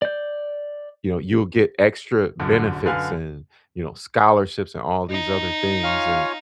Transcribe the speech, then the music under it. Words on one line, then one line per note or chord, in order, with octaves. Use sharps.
you know, you'll get extra benefits and, you know, scholarships and all these other things, and
D5 G6
D1 G1 C2 F#2 D3
F#2 D3 B4 F5 G#5 F6
D#4
F4 C#5 F5 G#5